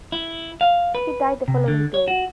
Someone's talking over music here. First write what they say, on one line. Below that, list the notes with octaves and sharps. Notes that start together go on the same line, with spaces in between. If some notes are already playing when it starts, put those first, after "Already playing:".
He died the following day.
E4
F5
B4
C3
D3
C#5
F#4